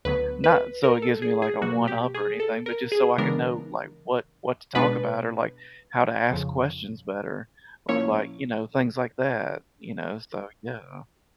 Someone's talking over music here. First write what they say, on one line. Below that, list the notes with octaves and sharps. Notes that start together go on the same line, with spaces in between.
not so it gives me, like, a one up or anything, but just so I could know, like, what what to talk about or, like, how to ask questions better or, like, you know, things like that, you know? So yeah.
D2 D3 F#3 B3 B4
B4
A#4
A4
G#4
G#4
B2 F#3 A#3 F#4
G4
G#4
A4
A#4
G#4
C#3 E3 G#3 B3 D4 A#4
B2 G#3 B3 D4 B4
F2 C#3 F3
A#2 F3 A#3 C#4 E4 C#5